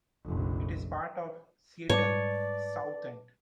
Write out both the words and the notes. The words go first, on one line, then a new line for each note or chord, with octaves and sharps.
It is part of Seattle's South End.
F1 A#1
G#2 G3 B4 C#5 D5 A5 D6